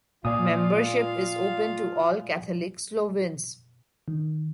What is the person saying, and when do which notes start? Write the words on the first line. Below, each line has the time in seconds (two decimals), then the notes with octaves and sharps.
Membership is open to all Catholic Slovenes.
0.25 A#2 F4 D5 F5 G#5 D#6
4.08 D#3